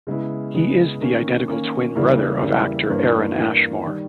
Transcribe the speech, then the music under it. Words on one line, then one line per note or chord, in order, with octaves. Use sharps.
He is the identical twin brother of actor Aaron Ashmore.
C#3 G#3 B3 E4
C#3 G#3 B3 E4
D#3 A#3 C#4
D#3 A#3 C#4
E2 C#3 G3 A#3 E4
E2 C#3 G3 A#3 E4
G2 E3 A#3
G2 E3 A#3
D#3 G3